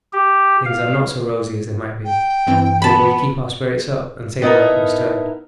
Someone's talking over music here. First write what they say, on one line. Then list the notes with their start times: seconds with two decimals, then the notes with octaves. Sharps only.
Things are not so rosy as they might be, but we keep our spirits up and say the luck must turn.
0.13 G4
0.66 F5
2.05 G5
2.47 G2 E3 C4
2.82 B3 A5 B5
4.42 B3 D#4 E4 A4 A#4